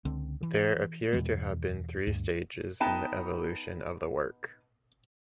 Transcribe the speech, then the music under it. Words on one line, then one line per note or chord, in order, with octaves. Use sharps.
There appear to have been three stages in the evolution of the work.
C#2 D3 C4
E3
E2 B2 E3 G#3
D2 G2
B3 D#4 G5 A5